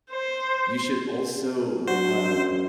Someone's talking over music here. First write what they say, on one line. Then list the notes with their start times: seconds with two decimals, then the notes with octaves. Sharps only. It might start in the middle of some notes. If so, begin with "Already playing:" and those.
You should also, uh,
0.11 C5
1.87 F#3 D4 F#4 C5
2.29 F#2